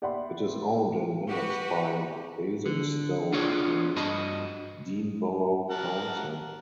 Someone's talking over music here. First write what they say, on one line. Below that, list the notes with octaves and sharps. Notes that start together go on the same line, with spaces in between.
It is owned and managed by Basingstoke and Deane Borough Council.
G4 D5 E5 F#5 B5 C6
F#4 G4 B4
D3
D4 F4 F#4 G#4 C#5 D5
G2 F#4 D#5 A5 B5
A#4 F#5 A5